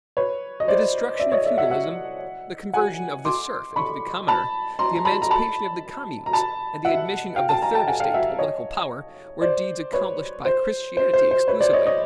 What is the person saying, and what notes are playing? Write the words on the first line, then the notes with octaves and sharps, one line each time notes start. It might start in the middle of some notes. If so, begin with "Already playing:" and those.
The destruction of feudalism, the conversion of the serf into the commoner, the emancipation of the communes, and the admission of the Third Estate to political power, were deeds accomplished by Christianity exclusively.
B4 C#5
D#5
C5 D5
D5 E5
C#5 D#5
D5 E5
E5 F#5
E5 F#5
F#5 G#5
C6 D6
B5 C#6
A5 B5
A#5 C6
A#5
A5 B5
A#5
A5 B5
A#5
A5 B5
E5 F#5
F5 G5
G5 A5
G#5 A#5
G5 A5
F#5 G#5
F5 G5
E5 F#5
C#5 D#5
C5 D5
B4 C#5
C5
C5
C5
C5
B4 C#5
C5 D5
C#5 D#5
C#5 D#5